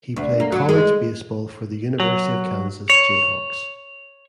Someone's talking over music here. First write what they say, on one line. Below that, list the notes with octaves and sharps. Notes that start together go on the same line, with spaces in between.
He played college baseball for the University of Kansas Jayhawks.
D2
A#3
F#3
G#3
F#3
C#5